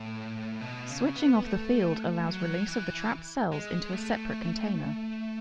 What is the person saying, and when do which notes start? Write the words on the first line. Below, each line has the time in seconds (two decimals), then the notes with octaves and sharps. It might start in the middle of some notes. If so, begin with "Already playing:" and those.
Switching off the field allows release of the trapped cells into a separate container.
Already playing: A2
0.61 B2
0.89 C#3
1.16 B3
1.44 A3
2.27 F#3
2.68 E3
3.52 G#3
3.93 A3